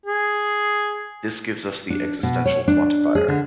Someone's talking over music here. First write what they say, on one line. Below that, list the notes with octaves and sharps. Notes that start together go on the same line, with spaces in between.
This gives us the existential quantifier.
G#4
D4
B2
C#5
D4
G#4
D3